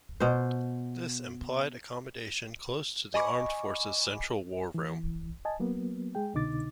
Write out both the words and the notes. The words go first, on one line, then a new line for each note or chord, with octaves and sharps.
This implied accommodation close to the armed forces' Central War Room.
B2 C5
D#5 G#5 B5 C#6 D6
E3
D#5 G#5 A5
F#3 A#3 B3
G#3 G#4 G5
C2 B2 D3 D#4 D6 A6